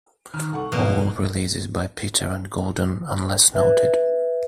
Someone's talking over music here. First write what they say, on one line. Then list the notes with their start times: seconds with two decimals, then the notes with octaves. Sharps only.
All releases by Peter and Gordon unless noted.
0.34 D#3 F6
0.53 C2 A4 F#5 C#6
0.72 F#1 F2 B2 A#3
0.86 G#3 B3 D#4
3.55 B4 E5